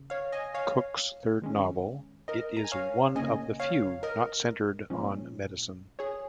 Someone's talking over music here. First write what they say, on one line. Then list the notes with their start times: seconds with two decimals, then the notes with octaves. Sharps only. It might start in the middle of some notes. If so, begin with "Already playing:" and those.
Cook's third novel, it is one of the few not centered on medicine.
Already playing: C#3
0.10 C#5 F5
0.32 D#5 G#5
0.54 C#5 F5
1.42 D#3 G#3 C#4
2.28 A#4 D#5
2.57 A#5
2.64 G#5
2.72 C#5 F5
3.15 C#3 A#3 C#4 D#5 G#5
3.60 C#5 F5
4.03 A#4 D#5
4.90 A#2 F3 G#3 C#4
5.99 G#4 C#5